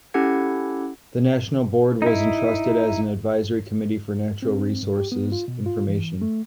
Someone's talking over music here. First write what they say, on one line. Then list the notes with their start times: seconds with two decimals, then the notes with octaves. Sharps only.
The national board was entrusted as an advisory committee for natural resources information.
0.14 C#4 E4 G4 A4 F#5 G#6
2.02 D#4 E4
4.42 C4
4.83 G2
4.97 G4
5.12 B3
5.32 F4
5.48 B2
5.66 F4
5.88 E3
6.22 A3